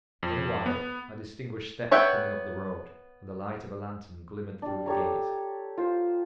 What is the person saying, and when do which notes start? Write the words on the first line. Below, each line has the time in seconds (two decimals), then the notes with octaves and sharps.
In a while, I distinguished steps coming up the road, and the light of a lantern glimmered through the gate.
0.23 F2
0.66 B3
1.91 B3 C#5 E5 F#5 G5
4.62 G3 D4
4.86 G4 A4 C#5 A#5
5.78 F4 C5